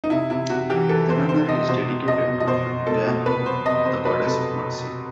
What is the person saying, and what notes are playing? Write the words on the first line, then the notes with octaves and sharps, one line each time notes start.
The nunnery is dedicated to Guanyin, the Goddess of Mercy.
D#4
C3 E4
C3 E4
C3 F#4
E3 G4
E3 A4
E3 C5
C3 C5
C3 D#5
B2 C5
B2
F#3 D#5
B2
D#5
B2 C5
B2
B2 A4
B2
C3 B4
F#3 C5
C3 D#5
C3 C5
F#3 B4
C3 A4